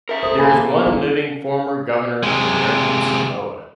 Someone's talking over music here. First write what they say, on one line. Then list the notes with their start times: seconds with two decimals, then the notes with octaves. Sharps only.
There is one living former governor of American Samoa.
0.09 A#4 E5
0.23 A4 C5 D#6
0.38 A#2 G#4 A#4 E5 G#5 B5
0.52 D#3
0.71 B3 A#4
0.87 G3 E4 F4
2.23 C3 G#3